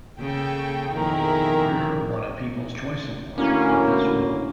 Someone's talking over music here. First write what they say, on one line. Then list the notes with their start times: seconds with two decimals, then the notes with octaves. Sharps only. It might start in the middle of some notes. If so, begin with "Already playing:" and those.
Ritter won a People's Choice Award for this role.
0.19 C#3 A#3 A4 G5
0.91 F2 B2 D#3 E4 G#4 A#4
3.38 D2 A#3 C#4 E4